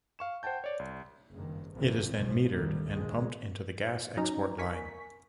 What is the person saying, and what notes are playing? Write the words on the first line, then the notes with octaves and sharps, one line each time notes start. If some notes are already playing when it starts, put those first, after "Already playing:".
It is then metered and pumped into the gas export line.
F5 C#6 E7
C5 F#5 G5 A5 G6
C#5 D5
C2
F#1 G2 D#3
A#1 G2 A#2 C#3 E3 C4
F#1 B1 F#2 B2 F3
G#1 D2 D#3 G3
A#1 G#3
F#3 C#4 D#4 A#5
A#4 G#5 C#6 B6